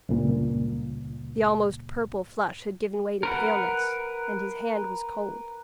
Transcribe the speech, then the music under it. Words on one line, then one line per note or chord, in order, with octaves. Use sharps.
The almost purple flush had given way to paleness, and his hand was cold.
C#2 G2 A#2
A#4 B4 F#5